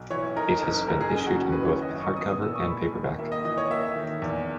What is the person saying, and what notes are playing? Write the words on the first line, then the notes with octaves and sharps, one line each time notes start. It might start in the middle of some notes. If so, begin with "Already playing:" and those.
It has been issued in both hardcover and paperback.
Already playing: B1
E3 C#5
D#4 A#4
F#1 A#4
F#1 A#4
G#4
C#3
F#4
D#2
B4
E3 C#5
D#5
F#2
C#6
B3 D#6
D#6
A#2 E6
C#6
G#3 B5
D#2
A#3 E5
D#5
E3 D#5
C#5
A#3 E5
D#3
E2